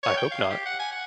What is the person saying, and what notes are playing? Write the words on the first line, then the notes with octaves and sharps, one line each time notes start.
I hope not.
C#5
G5
F5
G4
F#5
G#5
F#5